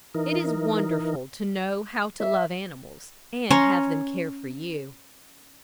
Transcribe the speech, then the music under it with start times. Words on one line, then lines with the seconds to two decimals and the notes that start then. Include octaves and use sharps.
It is wonderful to know how to love animals, and have them care for you.
0.15 E3 D#4 A#4
2.20 E5
3.50 C#4 C#5 A#5 C6